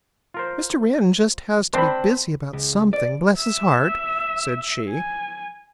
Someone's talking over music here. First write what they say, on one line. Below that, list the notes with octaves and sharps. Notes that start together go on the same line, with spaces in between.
"Mr. Wren just has to be busy about something, bless his heart," said she.
F4 A#4 C5
C4 D4 C5 B5
C#2
D5
E5
G#5